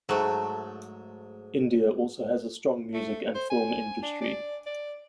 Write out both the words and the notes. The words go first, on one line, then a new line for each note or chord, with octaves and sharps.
India also has a strong music and film industry.
G#2 F#3 A3
A3
C5
G#5
D4
D5
D5